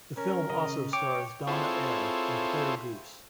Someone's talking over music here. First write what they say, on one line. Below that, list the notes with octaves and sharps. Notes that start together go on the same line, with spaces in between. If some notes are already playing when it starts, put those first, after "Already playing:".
The film also stars Donna Air and Claire Goose.
C#4 A#4
C#3 D#5
C#5 G5 D6
C4 E4 F4 G#4 A4 C#5